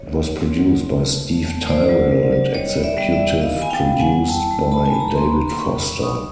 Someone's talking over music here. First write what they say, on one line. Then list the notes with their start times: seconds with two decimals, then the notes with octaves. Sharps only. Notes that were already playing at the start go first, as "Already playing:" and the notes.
It was produced by Steve Tyrell and executive produced by David Foster.
Already playing: C#5 D#5
0.15 F#3
0.37 C4
0.59 F#3
0.80 C4
1.02 A3
1.24 A3
1.45 A3
1.67 C4 C5 D5
1.89 F#3
2.11 F#3
2.33 F#3
2.54 G3 C#5 D#5
2.77 B3
2.83 D5 E5
2.98 G3
3.12 D5 E5
3.19 E4
3.41 B3 D#5 F5
3.62 B3 G#5
3.70 F5 G5
3.85 G3
3.99 F#5 G#5
4.07 G3
4.28 E4 G5 A5
4.51 G3
4.72 G3 A5 B5
4.86 G#5
4.93 G3 A5
5.00 A#5
5.08 B5
5.15 B3 A#5 C6
5.37 B3
5.48 C6
5.59 G3 B5 C#6
5.81 G3
6.02 B3 C#6 D#6